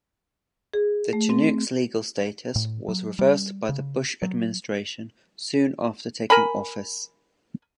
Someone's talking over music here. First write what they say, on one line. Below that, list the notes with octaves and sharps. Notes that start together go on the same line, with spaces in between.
The Chinook's legal status was reversed by the Bush administration soon after taking office.
G#4
A3
C4
A2
F#3
G3
C#3
F#3
A#4 G#5 B5